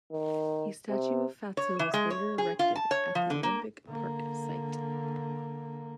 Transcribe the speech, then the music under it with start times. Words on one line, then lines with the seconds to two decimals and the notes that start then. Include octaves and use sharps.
A statue of Fatso was later erected at the Olympic Park site.
0.12 D#3
0.89 C3
1.57 C#5
1.79 E3
1.94 G#3
2.10 C#5
2.38 G#4
2.59 F4
2.76 A5
2.91 C#5
3.15 F3
3.30 D3
3.43 A#3
3.87 D3 A#3